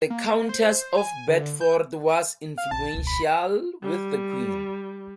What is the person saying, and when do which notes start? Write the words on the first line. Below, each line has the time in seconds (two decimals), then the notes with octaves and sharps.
The Countess of Bedford was influential with the queen.
0.10 A#3
0.49 C5
0.97 G#5
1.28 D3
1.61 G6
2.58 F5
2.71 A#1 A5
2.94 E1 C#2
3.07 B5
3.83 G3